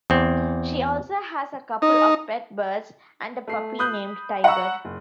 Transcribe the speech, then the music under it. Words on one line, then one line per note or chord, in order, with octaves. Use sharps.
She also has a couple of pet birds, and a puppy named Tiger.
E2 C4
D#4
A3 C7
B5 D#6 F#6 G6
F#5 A#5 B5 C#6 E6
F#1